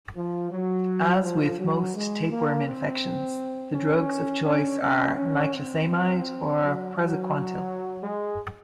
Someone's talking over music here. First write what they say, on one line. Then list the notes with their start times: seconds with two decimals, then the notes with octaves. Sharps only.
As with most tapeworm infections, the drugs of choice are niclosamide or praziquantel.
0.16 F3
0.51 F#3
1.23 F3
1.59 F#3
1.95 G#3
2.30 A#3
2.66 C4
3.73 C#4
4.45 C#4
4.81 C#4
5.17 C#4
5.53 C4
6.60 F#3
6.96 F#3
8.03 G#3